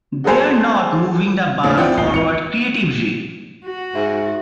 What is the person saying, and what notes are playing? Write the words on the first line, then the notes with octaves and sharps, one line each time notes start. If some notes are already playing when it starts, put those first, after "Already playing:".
They're not moving the bar forward creatively.
F#4 G#4 A4 C5 G#5
D#2 A2 C#3 F3 C#4 D4
C4 E4 F4 D5 F#5 G5
D#1 A1 D#2 C7 G7
G#1 C#7 F7
F#4
G#2 E5